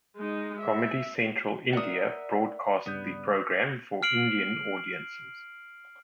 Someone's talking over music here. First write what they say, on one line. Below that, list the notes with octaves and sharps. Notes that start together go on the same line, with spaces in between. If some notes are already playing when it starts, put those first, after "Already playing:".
Comedy Central India broadcast the program for Indian audiences.
G#3 D#4
E5
A#4 D5 E5 F#5 D#6
D2 G2 C#3 B3 G6
F6 C7 D7 F#7